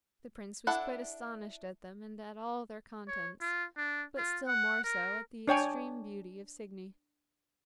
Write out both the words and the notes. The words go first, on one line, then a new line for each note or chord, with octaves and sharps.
The prince was quite astonished at them and at all their contents, but still more so at the extreme beauty of Signy.
D4 E4 A4 F#5
C#5
F4
D4
F4
F#5
A#4
D4 C#5 G5 G#5